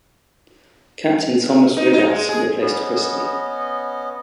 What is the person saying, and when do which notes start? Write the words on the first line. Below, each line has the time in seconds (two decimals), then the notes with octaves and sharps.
Captain Thomas Ridout replaced Christie.
1.77 D#4
1.93 D#4
2.08 G#3
2.29 G#4
2.60 B3 C#4 D#5